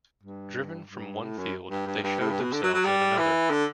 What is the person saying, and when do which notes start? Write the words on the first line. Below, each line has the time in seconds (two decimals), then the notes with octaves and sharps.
Driven from one field, they showed themselves in another.
0.23 G2
0.89 G2
1.21 A2
1.38 F#2
1.70 G2
1.87 G2
2.04 G2
2.20 A2
2.31 G2
2.41 B2
2.53 D3
2.64 F#3
2.74 F#3
2.85 G3
3.18 E3
3.50 D3